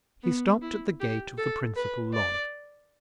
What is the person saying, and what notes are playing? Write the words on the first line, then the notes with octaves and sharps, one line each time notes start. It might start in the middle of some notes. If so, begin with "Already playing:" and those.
He stopped at the gate of the principal lodge.
B3
E4
G4
A4
B4
D5